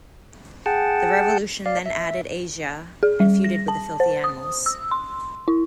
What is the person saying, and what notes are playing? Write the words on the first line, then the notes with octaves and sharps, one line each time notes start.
The Revolution then added Asya and feuded with The Filthy Animals.
G#4 F#5 G5 A5
D5 F5
E5
G#4
G3
A#6
A5
C5
D#6
E6
C6
E4